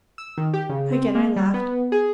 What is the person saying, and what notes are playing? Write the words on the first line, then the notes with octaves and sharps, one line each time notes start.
Again I laughed.
E6
D#3
G4
C#3
C4
A#3
G3
B3
G#4